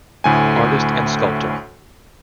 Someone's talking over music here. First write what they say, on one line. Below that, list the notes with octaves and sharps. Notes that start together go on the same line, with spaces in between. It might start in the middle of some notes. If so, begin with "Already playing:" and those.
Artist and sculptor.
D2 A2 G#5